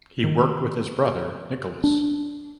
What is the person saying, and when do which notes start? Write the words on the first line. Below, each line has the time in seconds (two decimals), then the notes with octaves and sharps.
He worked with his brother Nicholas.
0.24 D#3
1.84 D4